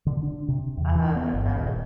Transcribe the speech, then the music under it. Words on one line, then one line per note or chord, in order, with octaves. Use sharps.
a a
D3
D4
C3
E2
E3
B3
G1
D#1